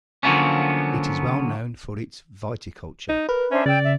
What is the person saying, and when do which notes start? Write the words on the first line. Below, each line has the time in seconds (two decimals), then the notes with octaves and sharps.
It is well known for its viticulture.
0.23 D3 F3 F#3 A#3 B3 C#4
3.09 D#4
3.29 A#4 B4
3.51 C#4 D4 C5 E5
3.66 C#3 D5 G5 E6
3.83 E5